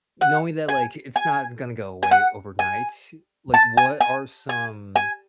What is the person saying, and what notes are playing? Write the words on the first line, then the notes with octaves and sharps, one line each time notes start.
knowing that, like, it's not gonna go away overnight, like, what are some
F#5
G#5
G#5
G#5
F#5
G#5
A5
G#5
G#5
G#5
G#5